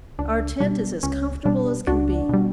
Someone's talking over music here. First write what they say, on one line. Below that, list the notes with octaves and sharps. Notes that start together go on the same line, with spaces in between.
Our tent is as comfortable as can be.
C#2 D4
B2 G3 D4
C#2 C#4
B2 G3 D4
C#2 D4 F#4
B2 G3